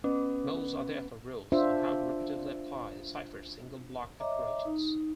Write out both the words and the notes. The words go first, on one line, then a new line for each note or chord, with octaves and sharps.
Modes are therefore rules on how to repeatedly apply the ciphers' single-block operations.
B3 C#4
D4 F4 C5 E5
C#5 D#5 E5 A#5 D6
D#4